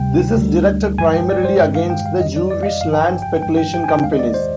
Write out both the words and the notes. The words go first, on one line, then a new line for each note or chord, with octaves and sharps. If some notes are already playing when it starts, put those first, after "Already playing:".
This is directed primarily against the Jewish land-speculation companies.
Already playing: D2 C3 G3 G5
D2 D3 G3
G1 G2 F3 G#3 G#5
G5
D5
C5
G2 D#3 G#3 G5
F5
G5
F5
F2 D#3 G3 D#5
D5
D5
F5
D#5
G#1 G2 F3 F5
G#5
G5
G5
G1 G2 F3 G#3 G5
G5
G5
G#5
G5
D#2 D#3 G#3 F5
D#5
D5
C5